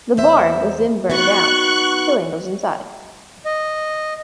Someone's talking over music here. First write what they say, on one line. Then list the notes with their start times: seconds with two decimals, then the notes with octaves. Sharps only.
The barn was then burned down, killing those inside.
0.17 E2 C5 E5
1.10 B3 D#4 F#4 C#6 F#6
3.46 D#5